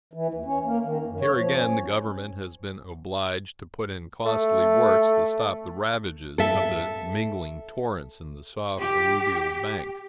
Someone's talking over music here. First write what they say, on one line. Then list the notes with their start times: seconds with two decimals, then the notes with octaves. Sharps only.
Here again the government has been obliged to put in costly works to stop the ravages of the mingling torrents in the soft alluvial banks.
0.13 E3
0.34 D#2
0.45 C#4
0.65 A#3
0.82 D#3
1.07 F#2
1.21 C#5
1.37 F3
1.55 C#4
4.25 A3
6.38 A4 E5
8.79 G4